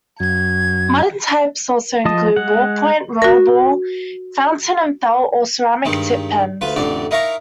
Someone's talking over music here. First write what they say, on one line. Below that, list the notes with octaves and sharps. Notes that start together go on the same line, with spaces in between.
Modern types also include ballpoint, rollerball, fountain and felt or ceramic tip pens.
F#2 G#6
F3 D#5 A5 D#6
G#3 F#5
F#4 A#4
G2 D#3 G3 G#3
D2 F4 B4
A1 F2 D3 D5
D#4 E4 A#4 F5 A#5 C#6